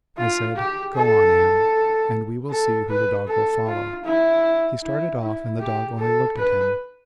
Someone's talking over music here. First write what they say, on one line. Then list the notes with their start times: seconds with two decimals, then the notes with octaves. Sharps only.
I said, "Go on Am, and we will see who the dog will follow." He started off and the dog only looked at him.
0.17 F4
0.57 G4
0.95 A4
2.50 A4
2.89 B4
3.27 A4
3.67 F4
4.04 E4
4.82 E4
5.21 E4
5.60 G4
5.99 A4
6.37 B4